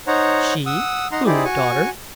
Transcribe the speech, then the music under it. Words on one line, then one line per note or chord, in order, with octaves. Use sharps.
"She? who, daughter?"
D#4 C5 C#5 F#5 A#5
F#5 D#6 E6
D#4 F#5 A#5 C6
D#4 E4 G4 G#4 C5 D5
F#4 G#5 C#6